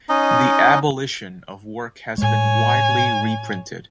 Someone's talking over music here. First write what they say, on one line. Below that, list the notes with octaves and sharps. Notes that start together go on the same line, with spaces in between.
"The Abolition of Work" has been widely reprinted.
C#4 D#4 D#5
A2 G#3 C#5 G#5